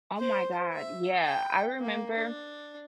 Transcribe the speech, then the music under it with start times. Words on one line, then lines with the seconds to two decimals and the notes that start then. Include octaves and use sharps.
Oh my god, yeah, I remember
0.17 C5
0.74 E5
1.24 G5
1.80 A#3
2.15 D4